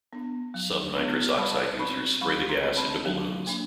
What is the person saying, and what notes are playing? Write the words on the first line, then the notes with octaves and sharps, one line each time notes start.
Some nitrous oxide users spray the gas into balloons.
B3 D4
F#3
B3 D4
G3 A5 B5
C4 B5 C#6
G3 B5 C#6
A#5 C6
C4
A5 B5
F#3
A#3 D4